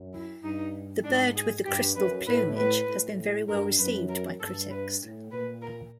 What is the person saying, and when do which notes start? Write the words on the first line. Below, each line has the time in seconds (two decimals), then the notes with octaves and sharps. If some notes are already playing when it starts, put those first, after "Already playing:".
"The Bird with the Crystal Plumage" has been very well received by critics.
Already playing: F#2
0.13 E4
0.42 G2 D#4
1.04 G#2 D4
1.35 G#4
1.65 G2 G4
1.95 F#2 B4
2.27 A2 B4
2.57 B4
2.88 A2
3.48 G2 A#4
3.79 F#2 B4
4.09 A#4
4.40 G2 A4
4.70 B4
5.01 A2
5.31 A#2 B4
5.62 A#4